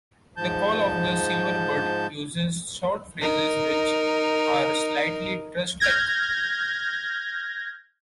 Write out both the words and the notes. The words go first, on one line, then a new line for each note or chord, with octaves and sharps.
The call of the silverbird uses short phrases which are slightly thrush-like.
G#2 F3 A5 G6
D#4 A#4
F6 G6 G#6 A#6